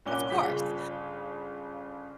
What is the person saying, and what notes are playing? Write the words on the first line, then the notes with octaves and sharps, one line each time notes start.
Of course.
C2 A#2 C#4 D6 F#6 G7
G1 C#3 F4 G#4 B6